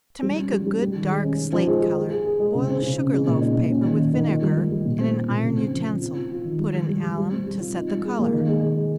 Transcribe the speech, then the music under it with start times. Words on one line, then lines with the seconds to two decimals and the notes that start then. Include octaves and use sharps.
To make a good dark slate color, boil sugar-loaf paper with vinegar, in an iron utensil--put in alum to set the color.
0.23 G3
0.38 C#4
0.52 G3
0.66 G3
0.81 G4
0.95 D#3
1.09 G#3
1.24 C#4
1.39 D#4
1.52 F3
1.67 G#3
1.82 G4
1.97 G#4
2.10 G#4
2.25 G#4
2.40 G#3
2.55 C#3
2.68 C4
2.83 C#3
2.97 C#3
3.13 G#3
3.27 A#2
3.41 D#4
3.56 A#2
3.70 C#4
3.84 D#3
3.99 D#3
4.13 D#3
4.28 F4
4.42 G3
4.57 G3
4.72 G3
4.86 A#2
5.00 C4
5.14 C4
5.29 A#2
5.43 C#3
5.58 C4
5.73 F3
5.87 F3
6.02 F4
6.16 F4
6.31 F4
6.45 D#3
6.59 G3
6.75 G3
6.89 G3
7.03 G3
7.18 G3
7.31 C4
7.47 G3
7.60 F4
7.75 D#4
7.90 G3
8.04 G#4
8.19 A#3
8.33 D#3
8.48 G#3
8.62 G#3
8.77 G#3